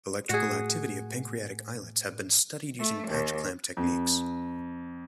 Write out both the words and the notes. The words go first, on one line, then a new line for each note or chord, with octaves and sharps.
Electrical activity of pancreatic islets has been studied using patch clamp techniques.
A2 F#4 G#4
A3
D#2
F2